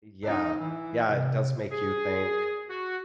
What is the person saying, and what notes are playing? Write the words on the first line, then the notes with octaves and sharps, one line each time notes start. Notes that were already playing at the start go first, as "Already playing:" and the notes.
Yeah. Yeah, it does make you think,
D#4
E3
C3
G#4
F#4